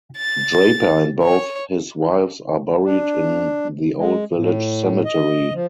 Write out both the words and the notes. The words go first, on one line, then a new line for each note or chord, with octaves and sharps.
Draper and both his wives are buried in the Old Village Cemetery.
A6
C#5
D4
G#3
A2
D#5
F3